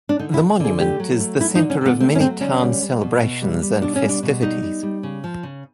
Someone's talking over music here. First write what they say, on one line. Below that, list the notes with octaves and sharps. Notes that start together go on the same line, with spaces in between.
The Monument is the center of many town celebrations and festivities.
D4
D3 D#4
E4
D3
D3 G#4
A3 G4
F#3
A3
F#3 E4
D#4
D3
C#4
D3 B3
A3 C4
C#4
F#3 C4
D3 C#4
G3
G3
B2
B2
G3
G3
B2 D4
C#4
G3
D4
B2
G3 D#4
G3
G3
C#3
F3
C#3